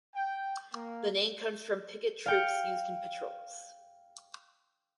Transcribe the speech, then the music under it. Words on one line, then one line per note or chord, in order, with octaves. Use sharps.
The name comes from picket troops used in patrols.
G5
A#3
F5 G5 C#7